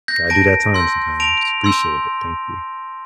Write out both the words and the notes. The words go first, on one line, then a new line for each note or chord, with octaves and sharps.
gotta do that time sometimes. Appreciate it. Thank you.
G6 A#6
A5 A#6 D7
C6 E6 G6
A5 D7 F7
C6 E6 G6